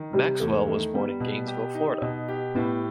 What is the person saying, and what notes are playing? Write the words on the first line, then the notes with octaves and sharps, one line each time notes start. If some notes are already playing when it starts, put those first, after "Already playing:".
Maxwell was born in Gainesville, Florida.
Already playing: D#3
C3 G3
E2 A3
D#3 A3
G3 B3
B2
G4
D#4
B2
G4
A2 B3